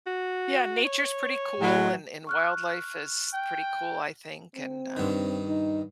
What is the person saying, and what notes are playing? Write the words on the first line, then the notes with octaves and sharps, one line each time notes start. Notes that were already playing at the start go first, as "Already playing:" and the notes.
yeah, nature's pretty cool and, and wildlife is pretty cool, I think, and, um
F#4
C#5
A2 F#3
C#6 F6 F#6
G5
C4
G2 D#3
D#4